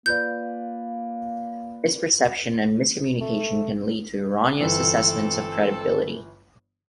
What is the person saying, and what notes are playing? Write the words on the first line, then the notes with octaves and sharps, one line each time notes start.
Misperception and miscommunication can lead to erroneous assessments of credibility.
A#3 F4 B4 D5 G6
A3
G1 E3 C4 A4